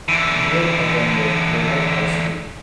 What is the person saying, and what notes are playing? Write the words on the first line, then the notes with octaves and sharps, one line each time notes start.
Neal attended Granite High School.
D3 E3